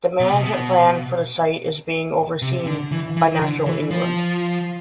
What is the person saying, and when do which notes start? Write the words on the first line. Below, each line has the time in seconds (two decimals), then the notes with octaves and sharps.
The management plan for the site is being overseen by Natural England.
0.20 B2
0.31 C3
0.41 B2
2.42 C3
2.67 D3
2.92 E3
3.17 E3
3.42 D3
3.66 E3
3.91 F3